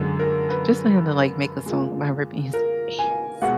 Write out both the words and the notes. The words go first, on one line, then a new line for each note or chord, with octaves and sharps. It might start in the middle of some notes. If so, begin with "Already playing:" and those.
just for him to, like, make a song about ripping his pants,
Already playing: F#2 D3 G#3
A#4
B4
A#2 G#3
A#4
G#5
B2 G#3 F#5